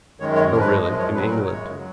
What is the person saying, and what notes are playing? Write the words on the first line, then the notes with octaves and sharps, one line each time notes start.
"Oh, really--in England?"
F#2 D#3 G#3 C#5
C#5
G#2 F3 G#3 A#4
B4
C#5
F#2 F3 G#3 D#5
C#5
A#2 F#3 B4
A#4
F#2 C#3 G#3 C#5
F#3